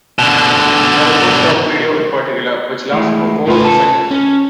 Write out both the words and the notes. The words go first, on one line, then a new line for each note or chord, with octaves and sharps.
There is one stock video in particular which lasts for four seconds.
B2 D3
E3 G#3 A3
A2 C#3 F4 B4
A4 A5
C#4